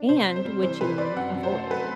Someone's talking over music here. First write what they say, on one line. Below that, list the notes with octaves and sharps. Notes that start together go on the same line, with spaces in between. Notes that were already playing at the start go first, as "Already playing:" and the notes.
And would you avoid?
Already playing: D4
C3 C5
C4
C5
G3
E3 C5
C3 B4
C4 D5
F#2 F#5
F#2
C5
A3
F#3 B4